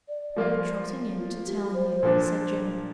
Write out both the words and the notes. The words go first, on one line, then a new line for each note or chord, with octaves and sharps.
"We were trotting in to tell you," said Jim.
D5
F3 A#3 F4
F4
F4
G4
C5
A#2 F3 D4